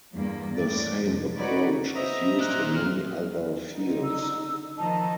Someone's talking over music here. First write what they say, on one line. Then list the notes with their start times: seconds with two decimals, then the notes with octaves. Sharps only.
The same approach is used in many other fields.
0.14 E2 G2 A#3
0.56 A2 D5
1.03 F2 C3
1.38 D#4 F#4 B4 C#5 D5
1.95 C5 D#5 E5 A#5
2.39 A#3 D5 F#6
2.74 F6
3.71 D3 D#4
4.04 E6
4.78 D#3 F3 D#4 A5